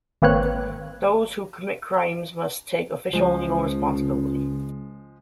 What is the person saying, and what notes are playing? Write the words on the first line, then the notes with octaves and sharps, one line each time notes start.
Those who commit crimes must take official, legal responsibility.
G#1 A#3 C4 B4 C#5 F#6
C#2 F3 G#3